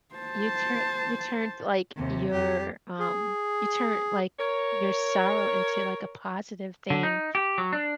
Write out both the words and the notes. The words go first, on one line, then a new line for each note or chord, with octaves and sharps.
You turn you turned, like, your, um you turn, like, your sorrow into, like, a positive thing,
C5 A5
D#2 C3
F2 G4
G#4
A#4 C#5
D3
D#4
G4
F#3
D4